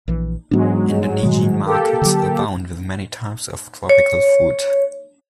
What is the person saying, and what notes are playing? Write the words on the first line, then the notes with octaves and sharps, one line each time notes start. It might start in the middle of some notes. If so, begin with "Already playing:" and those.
Indonesian markets abound with many types of tropical fruit.
A#1 E3
G#2 E3 F#3 G#3 B3 D4
D#3 G3
A#3 G4 A4
D3 F#3
C#5